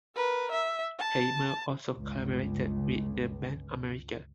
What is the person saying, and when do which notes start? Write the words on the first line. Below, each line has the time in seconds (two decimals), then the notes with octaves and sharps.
Haimer also collaborated with the band America.
0.16 A#4 B4
0.52 E5
0.99 A5
1.96 G1 C#2